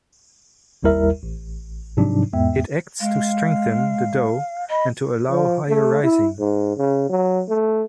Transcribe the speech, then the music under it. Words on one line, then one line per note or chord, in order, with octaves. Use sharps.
It acts to strengthen the dough and to allow higher rising.
G#1 D#2 G3 E4 A#4 E5
A1
G#2 C3 F3 F#3 D4 D#4
E2 G#2 G#3 B3 E5 G5
G#3 F5
D#5 B5
F3
A3
E4
G#2
C#3
F#3
A3